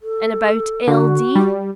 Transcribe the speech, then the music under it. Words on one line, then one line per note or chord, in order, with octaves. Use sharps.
"And about L. D.?"
A4
D3 F#4
G3